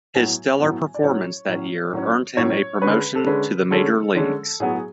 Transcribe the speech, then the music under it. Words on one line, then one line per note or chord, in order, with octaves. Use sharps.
His stellar performance that year earned him a promotion to the major leagues.
A2 F#3 B3 G#5
A2 F#3 B3
D5
A2 F#3 C#4 C#5
A2 F#3 C#4
A2 F#3 C#4
A2 F#3 C#4 C#5
D3 G#3 C#4 B4
A4
D3 G#3 C#4 B4
D3 G#3 C#4 A4
D3 G#3 C#4
A2 F#3 B3 G#4
G#4